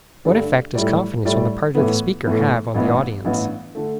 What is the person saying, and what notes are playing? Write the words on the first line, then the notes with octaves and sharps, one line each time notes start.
What effect does confidence on the part of the speaker have on the audience?
G2 D3 A3 G4 D5
A2 G3 E4 G4 D5
A2 G3 E4 G4 D5
A2 E3 B3
A2 E3 B3
A1 G2 E3 B3
A1 G2 E3 B3
D3 A3